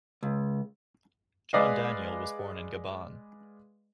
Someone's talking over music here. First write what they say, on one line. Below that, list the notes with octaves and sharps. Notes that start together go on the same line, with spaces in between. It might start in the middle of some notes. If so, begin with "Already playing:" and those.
John Daniel was born in Gabon.
C#2
G#3 B4 D5 D#5 F5